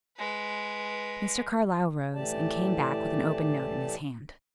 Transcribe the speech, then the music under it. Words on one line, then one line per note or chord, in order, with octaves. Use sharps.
Mr. Carlyle rose, and came back with an open note in his hand.
G#3 B4
A2 E3 A3 G4 D5 A5